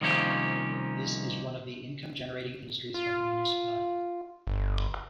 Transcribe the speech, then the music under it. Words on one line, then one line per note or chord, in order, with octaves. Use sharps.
This is one of the income generating industries of the municipality.
C2 D#3 F3 A#3 C#4 G4
F4
G1